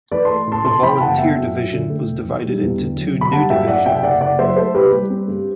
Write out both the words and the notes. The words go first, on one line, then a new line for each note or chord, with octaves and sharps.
The Volunteer Division was divided into two new divisions.
E3 B4 D5
A3 A5 C6
A1 A5 C6
C3 A5 C6
E3 G5 B5
G5
F#1 F#5 A5
B3 E5 G5
F#2
F#2
D3
A3
E1
E3
G3
E2
D3
F#3
G1
B5
G3 F#5 A5
F#2 E5 G5
F#2 D5 F#5
C3 E5 G5
G5
F#1 D5 F#5
F#1 D5 F#5
F#3 C5 E5
A3 A4 C5
C2 G4 B4
G3 G4
C4
G2